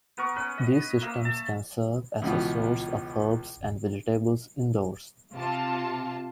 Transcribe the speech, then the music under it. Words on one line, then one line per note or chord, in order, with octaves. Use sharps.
These systems can serve as a source of herbs and vegetables indoors.
B3 A#4 C#6
C#4 B4
D#5
A#3 E5 A#5
A5
C#2 B2 E3 F3 B3
C3 F4 A5